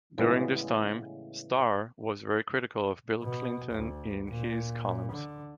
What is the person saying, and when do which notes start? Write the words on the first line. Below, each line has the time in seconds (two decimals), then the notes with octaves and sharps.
During this time, Starr was very critical of Bill Clinton in his columns.
0.18 A2 C#3 E3 G3 G#3 B3
3.23 B2
3.72 D2
4.30 A#2
5.11 D3